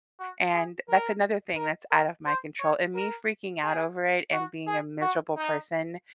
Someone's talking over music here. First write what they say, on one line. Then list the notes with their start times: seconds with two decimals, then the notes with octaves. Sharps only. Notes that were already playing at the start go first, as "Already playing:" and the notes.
and that's another thing that's out of my control, and me freaking out over it and being a miserable person,
0.19 F#4
0.53 G#4
0.88 A#4
1.56 A#4
1.91 A#4
2.26 C5
2.60 C#5
2.94 A#4
3.63 G#4
4.33 F#4
4.67 G#4
5.01 F#4
5.36 D#4